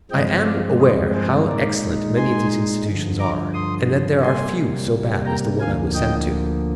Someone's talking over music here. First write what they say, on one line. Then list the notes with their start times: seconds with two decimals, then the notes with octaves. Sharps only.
I am aware how excellent many of these institutions are, and that there are few so bad as the one I was sent to.
0.11 G2 F3 G#3 C4 D#5 G5
0.45 D5 F5
0.79 C5 D#5
1.14 G#4 C5
1.48 A#2 G#3 D#4 A#4 D5
2.16 G#5 C6
2.86 G2 D3 F3
3.19 A#5 D6
3.54 C6 D#6
4.22 C3 G3 A#3 G#5 C6
5.25 G5 A#5
5.60 D2 D3 F3 A#3 F5 G#5
5.94 D#5 G5